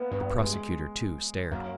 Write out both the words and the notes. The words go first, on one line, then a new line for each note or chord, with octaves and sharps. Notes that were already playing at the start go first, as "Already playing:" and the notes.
The prosecutor, too, stared.
Already playing: A#3 B3
G2 B3
G#3
F#2 A#3